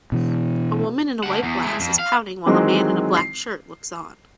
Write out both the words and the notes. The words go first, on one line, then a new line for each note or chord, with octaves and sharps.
A woman in a white blouse is pouting while a man in a black shirt looks on.
B2 E3
A3 F#5
E2
G#3 A3
F2
F5
D#3 E3 F#3 G#3 C4
C7